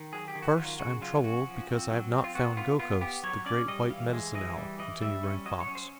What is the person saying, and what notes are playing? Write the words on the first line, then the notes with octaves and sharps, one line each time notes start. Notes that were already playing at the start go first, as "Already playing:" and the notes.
"First I am troubled because I have not found Gokhos, the great white Medicine Owl," continued Running Fox.
Already playing: D#3
F#3 G#4
G4
D#3
F#4
F#3 F4
C#3 F#4
F#3 F4
C#4 F#4
F3
C4
F#3
C4
F4
B3 F#4
B3 F4
B3 F4
B3 G4
F#3 C#5
C#4 D5
G3 D#5
E3 F5
G#3
E3 D#5
G3
E3 D#5
G3 E5
C#4
F#3 D#5
C#5
C#4
C5